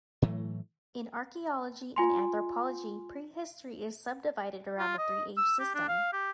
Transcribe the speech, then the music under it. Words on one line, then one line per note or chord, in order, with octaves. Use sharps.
In archaeology and anthropology, prehistory is subdivided around the three-age system.
A2 E3 F#3 A3
F4 G#5 C6
F4
D#5
E6
G4
D4
F5
G4